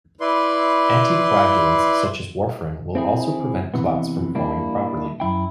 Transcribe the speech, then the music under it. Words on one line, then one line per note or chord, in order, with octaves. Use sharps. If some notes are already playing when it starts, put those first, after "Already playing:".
Anticoagulants such as warfarin will also prevent clots from forming properly.
E4 B4 D5 C6
C4 E4 G#4
C3 E3 B3
G3 A#3 D4 E4
F#2 E4 G5